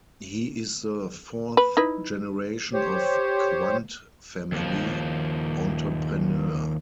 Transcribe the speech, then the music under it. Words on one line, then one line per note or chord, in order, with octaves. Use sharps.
He is the fourth generation of Quandt family entrepreneurs.
B4
D#4 E4 B4
G4 C5 C#5
D#2 F3